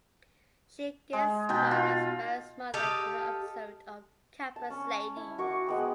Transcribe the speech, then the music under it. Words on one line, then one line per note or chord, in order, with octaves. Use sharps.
She guest starred as Barri's mother in an episode of "Campus Ladies".
G#3
B2 D#3 G5
F4
G4 A4 D#5 F5
A5
C#4
E4
F#4 C#6 D6
G#3 B3 G5